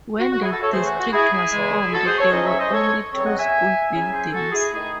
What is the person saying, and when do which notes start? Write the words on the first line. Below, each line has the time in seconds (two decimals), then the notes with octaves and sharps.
When the district was formed, there were only two school buildings.
0.19 F#4
0.32 F#4
0.42 E4 G#4
0.52 F#4 A4
0.62 A4 C#5
0.71 C#3 E3 A3 G#4 C5
0.85 F#4
0.98 F#4
1.12 E4 G#4
1.32 E4 G#4
1.51 E2 C#3 E3 G#3
1.93 F#4 A4
2.06 G#4 C5
2.18 A4 C#5
2.32 G#2 F#3 C#4 E4 C5 D#5
2.46 C#5 E5
2.59 C5 D#5
2.72 A4 C#5
3.12 E2 C#3 F#3 C4 A4 C#5
3.25 D#5 F#5
3.39 E5 G#5
3.92 C#3 F#3 C#4 E4 E5 G#5
4.12 G#4 C5
4.32 F#4 A4
4.52 E4 G#4
4.72 D#3 A3 D#4 E4 G#4